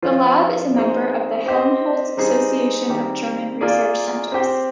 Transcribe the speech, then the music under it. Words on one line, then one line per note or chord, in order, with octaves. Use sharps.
The lab is a member of the Helmholtz Association of German Research Centres.
F3 C4 F4 C5
C4 D#4 G#4 C5
C4 G4 C5 D#5
G3 C4 D#4 G#4 C5
D#3 G3 C4 G4
A#3 F4 G#4 D5
C4 G4 C5